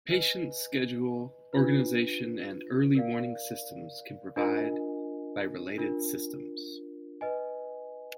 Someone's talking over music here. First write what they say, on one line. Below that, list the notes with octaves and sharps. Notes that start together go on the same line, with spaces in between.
Patient schedule organization and early warning systems can provide by related systems.
B4 D#5 G#5
D4 F4 B4
A#4 D5 F5
D4 F4 A#4 D#5 G#5
D4 F4 A#4
B4 D#5 G#5